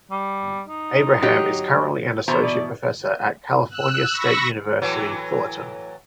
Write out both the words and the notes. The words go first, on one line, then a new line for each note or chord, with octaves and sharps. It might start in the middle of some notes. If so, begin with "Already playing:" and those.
Abraham is currently an associate professor at California State University Fullerton.
G3
D#4
F#3 G4 D#5
E2 B2 C5 A#5
D5
E6 F#6
B5 C#6 E6 A#6
A2 E3 F#3